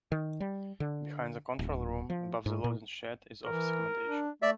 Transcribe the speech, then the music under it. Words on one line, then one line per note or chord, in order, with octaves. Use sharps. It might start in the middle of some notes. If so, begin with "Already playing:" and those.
Behind the control room, above the loading shed, is office accommodation.
D#3
G3
D3
D1
F3
G#2
A#2
E3 A#4
D4
A3 D5 E5